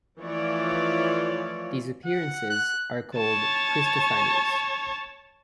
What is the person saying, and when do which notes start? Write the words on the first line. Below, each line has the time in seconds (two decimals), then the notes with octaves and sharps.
These appearances are called Christophanies.
0.20 E3 F3 A3 F4 C#5 D5
2.06 F#5
2.50 F#6
3.17 C#5 A5